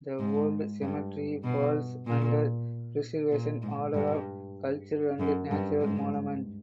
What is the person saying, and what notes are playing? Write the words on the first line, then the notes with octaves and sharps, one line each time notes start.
The old cemetery falls under preservation order of cultural and natural monument.
G#2
G2
B2
A#2
A#2
G#2
G2
F#2
G2
G#2